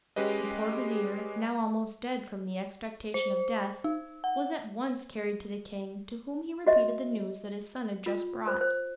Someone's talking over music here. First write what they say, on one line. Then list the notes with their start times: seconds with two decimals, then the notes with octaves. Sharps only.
The poor vizier, now almost dead from the expectation of death, was at once carried to the King, to whom he repeated the news that his son had just brought.
0.16 G#3 C#4 G4 B4 D#5
3.14 C5
3.84 D#4
4.24 F#5
6.66 F#4 D#5 E5
8.06 F4
8.47 C5
8.61 C5